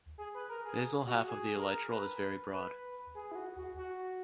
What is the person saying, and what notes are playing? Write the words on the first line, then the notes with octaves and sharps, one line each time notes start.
Basal half of the elytral is very broad.
G#4
B4
A#4
G#4
F#4
G#4
A#4
B4
B4
G#4
E4
F#4
F#4
F#4